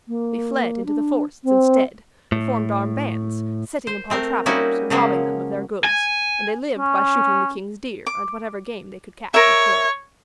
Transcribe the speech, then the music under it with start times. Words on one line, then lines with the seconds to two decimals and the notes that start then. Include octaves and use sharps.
They fled into the forests instead and formed armed bands, setting upon travelers and robbing them of their goods; and they lived by shooting the King's deer and whatever game they could catch and kill.
0.08 A#3
0.86 D4
1.44 C4
2.32 A2
3.87 C5
4.10 A3 C4 A#4
4.46 G3 A#3 C#4 D#4 E4 F#4
4.90 C#3 F3 F#3 G#3 A#3 C#4
5.84 G#5
6.79 C#4
8.07 D6
9.34 A#4 C#5 E5